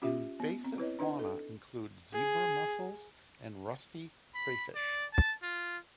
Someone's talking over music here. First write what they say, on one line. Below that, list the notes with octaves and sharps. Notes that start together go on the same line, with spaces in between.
Invasive fauna include zebra mussels and rusty crayfish.
C#4 F4 G4 E5
B3
C4
E4 B4 C#5 D#5
D4 D#4 B4 D#5
A4
G#4
B5
D5
A5
F4